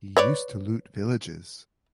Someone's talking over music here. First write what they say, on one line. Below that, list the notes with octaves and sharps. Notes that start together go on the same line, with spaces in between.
He used to loot villages.
B4 C#5 D5